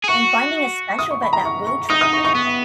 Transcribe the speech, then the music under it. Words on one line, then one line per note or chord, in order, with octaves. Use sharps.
And finding a special vet that will treat them.
G#4
F#4 C#6
D#6
C#6
B5
A#5
C#6
C#6
D#4 D#6
D#6
C#6
C#6
B3